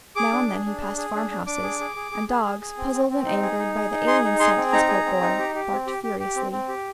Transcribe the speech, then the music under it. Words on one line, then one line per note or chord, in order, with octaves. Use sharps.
Now and then, he passed farmhouses, and dogs, puzzled and angered by the alien scent his coat bore, barked furiously.
G#4 D6
D4
G#4
D4
G#4
G#4
D4
D4
D4 D6
G#4
G#4
G#4
G#4
G#4
G#4
G#4
C4
C4
C4
D#4
G#4
D#4
G#4
D#4
G#4 C6
D#4
G#4 C6
C4
D#4 A#5
G#4
C4
D#4
G4
G4
C4
G4
G4
G4
C4
C4
G4